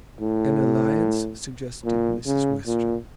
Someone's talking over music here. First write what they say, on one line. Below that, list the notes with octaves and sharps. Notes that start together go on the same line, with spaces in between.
"An alliance," suggested Mrs. Western.
A2
A#2
C#3
A#2